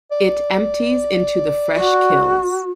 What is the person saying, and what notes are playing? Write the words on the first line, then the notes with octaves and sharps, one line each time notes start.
It empties into the Fresh Kills.
D5
F#4